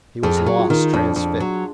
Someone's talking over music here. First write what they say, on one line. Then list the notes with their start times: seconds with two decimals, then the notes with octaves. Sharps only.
He was lost, transfixed.
0.23 F2 G#4
0.46 F#3
0.58 F4
0.70 D#3
0.93 F2 D4
1.16 F2
1.40 F#3